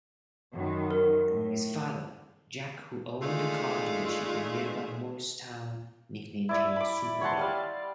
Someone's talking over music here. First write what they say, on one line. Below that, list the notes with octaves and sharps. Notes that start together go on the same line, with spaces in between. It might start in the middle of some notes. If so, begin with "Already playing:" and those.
His father, Jack-who owned a car dealership in nearby Morristown-nicknamed him Super Babe.
F#2 D#3
A#4
A2
G#3 A3 D4 D#4 F4
E4 D5 E5
B5 D6
C#5 F#5 A5 C6
G3 D5 F5